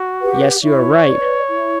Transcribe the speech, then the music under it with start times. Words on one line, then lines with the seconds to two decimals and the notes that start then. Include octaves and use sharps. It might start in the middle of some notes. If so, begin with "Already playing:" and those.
"Yes, you are right."
Already playing: F#4
0.20 G4 B4 F#5
0.63 E4 C#5
1.06 B4 D5
1.49 E4